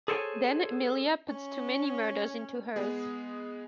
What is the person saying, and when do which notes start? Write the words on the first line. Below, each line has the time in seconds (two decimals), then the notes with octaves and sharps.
Then Emilia puts too many murders into hers.
0.08 G#4 A4 C5 C#5 G5 G#5
1.28 C#4
2.76 G#3 B3 G#4